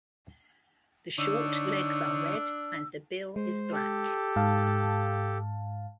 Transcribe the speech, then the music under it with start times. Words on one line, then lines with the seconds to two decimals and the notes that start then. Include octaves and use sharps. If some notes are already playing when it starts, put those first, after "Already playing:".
The short legs are red and the bill is black.
1.18 D3 D4 D#4 C#5 E6
3.36 G#3 C5
3.72 G4 A4
4.36 G#2 F5 A5